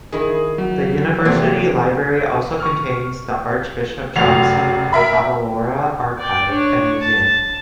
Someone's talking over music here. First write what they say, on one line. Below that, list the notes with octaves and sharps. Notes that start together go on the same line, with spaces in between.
The University Library also contains the Archbishop John C. Favalora Archive and Museum.
D#3 E4 G#4
F#3
E2 C3 F3 A3 A#3 C4
C#6 F6
F1 F#2 F#4 F7
A#4 E5 B5
D5 G5
D4 C#5
A5